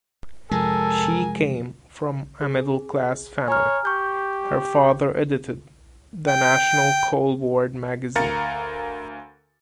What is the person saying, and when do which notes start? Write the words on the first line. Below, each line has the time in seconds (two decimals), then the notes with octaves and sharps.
She came from a middle-class family; her father edited the National Coal Board magazine.
0.51 F2 C3 F3 G#3 A4 A#4 G#5
2.42 G#4
3.48 C#5 G#5 A#5 F6
3.85 G4 C#6 G6
6.28 G5
8.15 D2 A#4 F5 A#5 A6 C#7